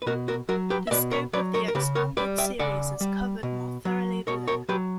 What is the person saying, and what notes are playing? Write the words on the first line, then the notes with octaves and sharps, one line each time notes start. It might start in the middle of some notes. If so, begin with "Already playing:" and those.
The scope of the expanded series is covered more thoroughly below.
B4
B2 F#4 A#4
F#4 A#4
F#3 F#4 A#4
G4 B4
E5
B2 B4 D5
A#4 C#5
F#3 B4 D5
A#4 C#5
A#4
C#3 G4 B4
A#4 C#5
G3 B4 D5
E5 G5
C#3 D5 F#5
G3
B2
F#3
B2 A#4 C#5
A#4 C#5
F#3 G4 B4